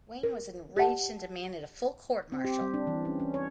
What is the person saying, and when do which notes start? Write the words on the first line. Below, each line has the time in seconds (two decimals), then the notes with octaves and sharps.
Wayne was enraged and demanded a full court-martial.
0.23 A#4
0.76 G4 D5 F#5 A5
2.32 C4
2.45 G4
2.61 G3
2.74 D4
2.87 E3
3.05 C#4
3.20 C#4
3.34 C#5